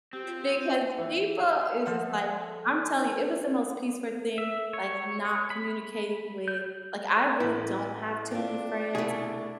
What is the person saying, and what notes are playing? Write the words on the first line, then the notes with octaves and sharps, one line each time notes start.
Because people is just like I'm telling you, it was the most peaceful thing, like, not communicating with Like, I really don't have too many friends,
C4 G4
F4
E3
F5
F3 A4 E5 F#5
E5
C#5
B5
G6
A1 B3 E4
C4 D4 F4
C2 B2 A3 G#4